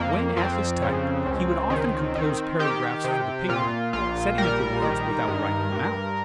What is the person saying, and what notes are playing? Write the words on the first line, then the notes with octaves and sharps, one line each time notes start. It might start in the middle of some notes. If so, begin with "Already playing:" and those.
When at his type, he would often compose paragraphs for the paper, setting up the words without writing them out.
Already playing: F2 A#3
F2 C4
C#3
C#2
D#3
D#3
D#3 G4
C3
A#2 F4
A#1 F4
G3 A#4
D#3
G2
G2